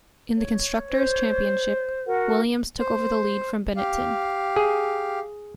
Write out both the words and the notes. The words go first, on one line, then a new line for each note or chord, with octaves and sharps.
In the Constructor's Championship, Williams took over the lead from Benetton.
C#5
C5
F#4 A#4 F#5
C5
G4 F5
G#4